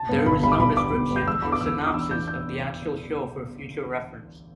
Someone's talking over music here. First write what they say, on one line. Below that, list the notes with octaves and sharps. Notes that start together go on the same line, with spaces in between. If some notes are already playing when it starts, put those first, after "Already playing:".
There was no description or synopsis of the actual show for future reference.
Already playing: A5
G2 G3 B3
G1 B5
G2 G3 B3 B5
D6
G1 B5
G2 G3 B3 D6
G1
G2 G3 B3
G6
E2 E6
E3 B3 D4 B5
D6
E2 E6
E3 B3 D4
D6
E2 E6
E3 B3 D4 G6
G6